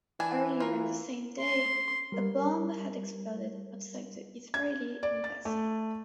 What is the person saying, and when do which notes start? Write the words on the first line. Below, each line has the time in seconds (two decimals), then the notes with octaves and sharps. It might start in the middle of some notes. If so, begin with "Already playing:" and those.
Earlier on the same day, a bomb had exploded outside the Israeli embassy.
0.20 E3 D4 E4 G#5
0.60 F4 A#4
1.40 C6
2.12 G3 A#4
4.54 G#6
5.03 D5
5.24 A6
5.45 A3